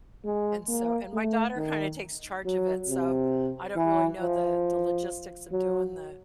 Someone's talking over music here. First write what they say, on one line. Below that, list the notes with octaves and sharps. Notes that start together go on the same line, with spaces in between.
And so and my daughter kinda takes charge of it, so I don't really know the the logistics of doing the
G#3
A#3
A3
D#3
F#3
C3
E3
F3
F#3